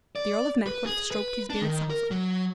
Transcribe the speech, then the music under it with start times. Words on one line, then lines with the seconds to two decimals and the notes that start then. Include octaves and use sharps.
The Earl of Mackworth stroked his beard softly.
0.16 D5
0.66 B4
0.86 G#4
1.11 B4
1.50 D4
1.62 D#3
1.90 A#4
2.11 F#3